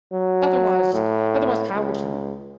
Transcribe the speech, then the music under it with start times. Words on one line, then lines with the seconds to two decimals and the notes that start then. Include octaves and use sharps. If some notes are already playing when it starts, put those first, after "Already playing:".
otherwise otherwise, how would you
0.13 F#3
0.93 A2
1.75 C#2